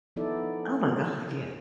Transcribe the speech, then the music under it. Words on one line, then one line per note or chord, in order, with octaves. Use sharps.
Oh my god, yes.
F3 B3 D#4 E4 A4 D5